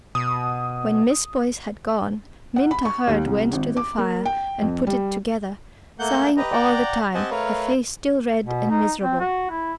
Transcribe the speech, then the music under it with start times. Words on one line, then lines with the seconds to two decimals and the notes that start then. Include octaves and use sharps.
When Miss Boyce had gone, Minta Hurd went to the fire and put it together, sighing all the time, her face still red and miserable.
0.15 B2 D#6
2.56 F#5
2.71 B5
2.85 C#6
3.07 D#2
3.26 C2
3.53 G#1
3.77 D6
3.98 A#3
4.25 G5
4.62 F2
4.87 G3
5.99 A3 A#3 F#5 G6
6.37 G4 B4 D#5 A#5
6.52 D5 F#5 G5 A#5
7.14 C4 G4 D#5 F#5 G#5 A5
7.31 A3 A#4 B4 C#5 F5
8.44 B2
8.70 D#4
9.03 C4
9.20 F#4
9.50 E4